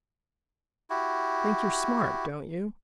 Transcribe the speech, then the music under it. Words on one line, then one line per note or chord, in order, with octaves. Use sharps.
Think you're smart, don't you?
E4 F#4 G4